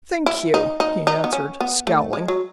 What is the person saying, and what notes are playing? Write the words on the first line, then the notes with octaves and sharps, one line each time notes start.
"Thank you," he answered, scowling.
E4
D#4
D#4
D#4
B3
C#4
B3
A3
G#3
F#3